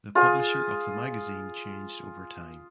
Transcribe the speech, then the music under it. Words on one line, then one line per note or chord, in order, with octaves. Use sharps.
The publisher of the magazine changed over time.
F4 G#4 D#6